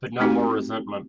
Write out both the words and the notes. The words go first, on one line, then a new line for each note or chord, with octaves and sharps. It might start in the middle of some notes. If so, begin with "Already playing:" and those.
But no more resentment.
A3 C4 D#4 F#4 G4